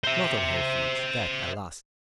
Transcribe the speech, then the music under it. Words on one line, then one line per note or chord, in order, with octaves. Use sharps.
Not on her feet: that, alas!
C5 E5